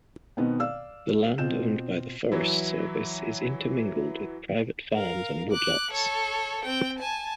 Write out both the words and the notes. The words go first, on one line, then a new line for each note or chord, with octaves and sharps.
The land owned by the Forest Service is intermingled with private farms and woodlots.
B2 D#3 B3 C4
D5 F5 E6
B2 C4 F4 G6 E7
E3 F#3 E4
A#4 F5
D6 F#6
A4 C#5
C4 G5
G#5 A5